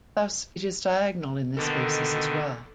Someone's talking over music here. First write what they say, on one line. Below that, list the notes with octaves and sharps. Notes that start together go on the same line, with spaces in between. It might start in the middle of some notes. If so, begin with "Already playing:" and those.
Thus it is diagonal in this basis as well.
B2 D3 D#3 A#3 A4